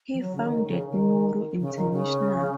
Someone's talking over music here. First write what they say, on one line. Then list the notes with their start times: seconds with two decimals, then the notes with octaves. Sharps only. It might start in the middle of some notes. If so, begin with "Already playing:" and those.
He founded Nuru International.
0.14 E3
0.19 F#3
0.35 C#3
0.42 D#3
0.66 C#3
0.90 D#3
1.60 C#3
1.76 D#3
1.92 C#3